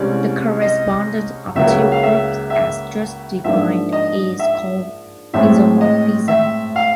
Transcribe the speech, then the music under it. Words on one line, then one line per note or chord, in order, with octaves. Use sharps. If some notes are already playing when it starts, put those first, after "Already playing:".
The correspondence of two groups as just defined is called isomorphism.
Already playing: C2 C3 E3 G#3 C#4 D5
D#5
C#2 C#3 F#3 A#3 E5
F5
E5
E5
G#2 F3 A#3 D4 E5
D#5
E5
A2 E3 G#3 C4 E5
D#5
E5
F5